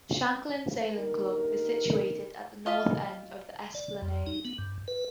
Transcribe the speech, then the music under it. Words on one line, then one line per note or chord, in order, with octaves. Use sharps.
Shanklin Sailing Club is situated at the North end of the Esplanade.
D3 A#3 D#4 G4 A#4
F4 D#5 F5 B5
D5
F2
D#4
B3
G2
B4